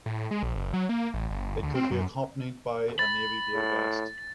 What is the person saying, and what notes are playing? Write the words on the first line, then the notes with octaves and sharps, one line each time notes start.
It could be accompanied by a navy blue vest.
A2
G#3
A#1
F#1
F#3
A#3
A1
G1
D2
C4
F#2
B5 A6
A2